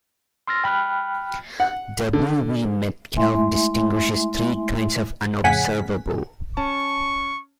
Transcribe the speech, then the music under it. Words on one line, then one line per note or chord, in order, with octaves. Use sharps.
W. V. Metcalf distinguishes three kinds of unobservables.
C6 E6 F6 A6 A#6
G5 B5 F6 F#6
F#5
D3
G#3 A3 E4 E5 G#5 C6
F2 A2 C#3 F#5 G#5 B6
C#4 A5 C#6